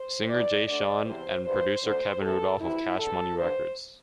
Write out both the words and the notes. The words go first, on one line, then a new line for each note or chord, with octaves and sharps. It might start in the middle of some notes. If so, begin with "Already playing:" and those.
Singer Jay Sean and producer Kevin Rudolf of Cash Money Records.
Already playing: C5
E2 C3 E3 D5
D2 D3 D5
E2 C3 E3 C5
G2 D3 C5
D2 D3 C5
E2 C3 E3 A4
D2 C3 E3 E4
E2 D3 A4
G2 D3 C5